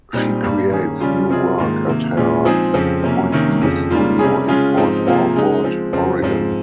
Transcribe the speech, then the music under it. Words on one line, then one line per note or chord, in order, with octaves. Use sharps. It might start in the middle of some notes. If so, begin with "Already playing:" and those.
She creates new work at her Point B Studio in Port Orford, Oregon.
A#2 G3 C4 D#4 G4
G2 G3 A#3
D#3 A#3 C#4 G#4
C#3 G3 C#4 F4
C3 G3 C4 F4 G#4
G#2 D#3 A#3 F4
C3 D#3 A#3
A#2 G#3 C#4 F4
F3 G#3 C4 D#4 G#4
F2 C#3 F3 C4
C3 F3 A#3 C#4
C3 D#3 A#3 C#4
F2 C#3 F3
C#3 G3 A#3 F4
C3 G3 C#4 G#4
C#3 G#3 C#4 F4 G#4
G#2 F3 C4 D#4
C3 F3 A#3 F4 G#4
C#3 G#3 D#4
F3 G#3 C4
F2 C#3 F3 C4 F4
G#2 F3 C4